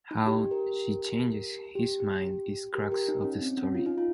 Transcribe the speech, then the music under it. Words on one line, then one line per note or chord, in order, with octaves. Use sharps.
How she changes his mind is crux of the story.
D#4
G4
G4 A#4
G4
G4
G4 A#4
G4 A#4
D#4
C#4
C4
C#4
F4
D#4
F4